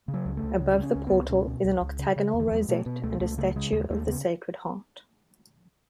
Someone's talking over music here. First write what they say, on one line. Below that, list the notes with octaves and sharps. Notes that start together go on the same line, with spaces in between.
Above the portal is an octagonal rosette and a statue of the Sacred Heart.
C#3
F#3
C#2
A3
C#2
C#3 C#4
C#3
C#4
C#2
C#2 B3
B2 C#4
B2
C#2
C#2
C#3
C#3
E2
D#3
E3
E2 F#3
G#3
B2 A3
B2 B3
C#2 A3
C#2 A3
C#3 A3
C#3 G#3
D#2 G#3
D#2 A3
C#3 B3